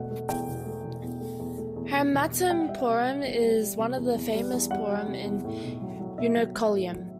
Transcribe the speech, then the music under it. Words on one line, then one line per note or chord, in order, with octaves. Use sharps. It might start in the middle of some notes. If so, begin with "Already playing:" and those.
Harimattom pooram is the one of the famous pooram in Ernakulam.
Already playing: E1 B2 A3 F#5
A3
E2 G5
E1
A3
E1
E2
A3
E2
A3
E2
E1
E1
E2
G3 G5
F#5
G3 E5
F#5
C3
G3
E2
G3
G3
C3
E2
E2
G3
E2
G3 F#5
G3
C3
E2
A2
B1
F#3
F#3
B1 E5
F#3
F#3
A2
F#3